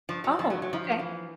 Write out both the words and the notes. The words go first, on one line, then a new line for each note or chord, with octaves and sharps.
Oh, okay.
G2 F3
G2 F#3
G2 F3
F#3
G2
F#3
G2 F3
G2
E3